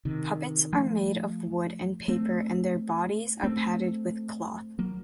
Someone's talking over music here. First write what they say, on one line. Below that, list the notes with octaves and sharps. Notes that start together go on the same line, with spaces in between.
Puppets are made of wood and paper and their bodies are padded with cloth.
C3 D#3
F3 A3
A3 C4
A3 C4
F#3 A#3